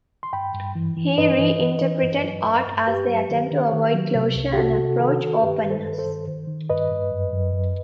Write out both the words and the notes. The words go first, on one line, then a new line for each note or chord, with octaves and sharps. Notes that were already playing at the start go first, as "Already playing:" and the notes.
He reinterpreted art as the attempt to avoid closure and approach openness.
C6
G2 G5 B5
G2
E3
E3
G2 B4 D#5
E3
E3
E3
G2
F#3
G2
G2
G2 G4 B4
F#3
D#3
D#3
D#3
F#3
C3
C2
G4
C3 F#4 A4
C3
D#3 F#4 A4
D#3
G2 G4 B4
D#3
A4 C5
G2
B4
A4 C5
D#3
D#3
D#3
G2 B4 D#5
G2
F#2
F#2
F#2